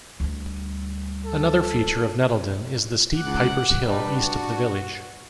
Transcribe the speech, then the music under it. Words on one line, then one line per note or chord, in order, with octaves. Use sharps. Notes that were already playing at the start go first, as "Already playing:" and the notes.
Another feature of Nettleden is the steep Pipers Hill east of the village.
D2 G3
A4
C#2 F#5 D6 F#6
G3 D4 D#4 B4
F#4